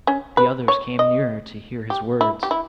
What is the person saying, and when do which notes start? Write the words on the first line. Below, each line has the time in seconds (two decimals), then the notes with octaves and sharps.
The others came nearer to hear his words.
0.07 C#4
0.37 B4
0.68 C#5
0.99 D#5
1.90 G4
2.21 E4
2.43 G4
2.51 E4